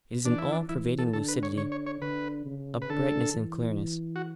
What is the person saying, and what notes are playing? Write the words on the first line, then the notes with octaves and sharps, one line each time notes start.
It is an all-pervading lucidity, a brightness and clearness.
E3 D4
E4
D4
E3 E4
A4
D3 A4
B4
C#5
D3 C#5
C#5
C#5
D3 B4
C#3
B4
D3 A4
E3
F#4